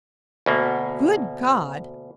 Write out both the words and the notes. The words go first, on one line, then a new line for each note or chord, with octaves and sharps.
"Good God!"
D2 B2 A#3